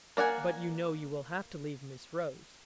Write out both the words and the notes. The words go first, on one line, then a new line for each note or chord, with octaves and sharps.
"But you know you will have to leave Miss Rose."
A#3 D5 F#5 G#5